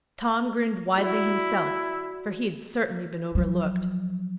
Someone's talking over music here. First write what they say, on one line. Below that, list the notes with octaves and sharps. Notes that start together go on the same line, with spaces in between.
Tom grinned widely himself, for he had certainly been overlooked.
E4 F#4 D5
F3 F#3